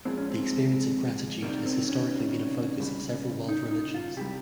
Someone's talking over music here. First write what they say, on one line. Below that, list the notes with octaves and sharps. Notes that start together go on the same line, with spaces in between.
The experience of gratitude has historically been a focus of several world religions.
A#2 F3 G#3 C4
C#4
C4
C3 D#3 G3 A#3
C4
C#4
C#3 G3
D#4
D#4
F4
C3 G3 G4